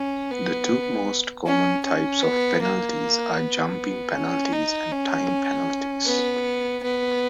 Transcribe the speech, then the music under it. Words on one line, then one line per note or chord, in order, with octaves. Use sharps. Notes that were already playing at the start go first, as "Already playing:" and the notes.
The two most common types of penalties are jumping penalties and time penalties.
Already playing: C#4
B3
C#4
C#4
B3
A#3
B3
C#4
D#4
C#4
B3
B3